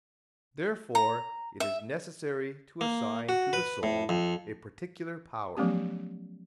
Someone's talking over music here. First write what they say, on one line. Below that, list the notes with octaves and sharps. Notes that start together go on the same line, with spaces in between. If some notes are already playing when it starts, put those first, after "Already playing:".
Therefore it is necessary to assign to the soul a particular power.
A#5
E5
A#3
F#4
B4
A2
F2
F3 F#3 A3 B3 C#4 G4